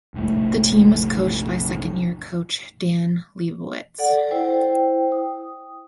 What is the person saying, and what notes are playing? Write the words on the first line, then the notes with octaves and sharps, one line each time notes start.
The team was coached by second year coach Dan Leibovitz.
F1 A#1 A2 A3
A4 D5 F#5
E4 C5 G5
D#6